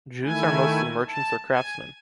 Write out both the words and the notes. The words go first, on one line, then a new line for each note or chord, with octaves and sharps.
Jews are mostly merchants or craftsmen.
D#3 A3 E4 G#5
A5
G#5